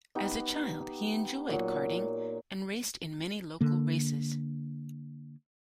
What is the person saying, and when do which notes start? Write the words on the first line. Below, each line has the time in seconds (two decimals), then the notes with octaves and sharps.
As a child he enjoyed Karting and raced in many local races.
0.15 B3 D#4 G4
1.48 A#2 F#3
3.61 D3 A#3